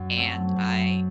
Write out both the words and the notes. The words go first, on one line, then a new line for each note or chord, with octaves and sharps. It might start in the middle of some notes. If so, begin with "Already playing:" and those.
And I
Already playing: F#2
F#3 A3 C4
F#2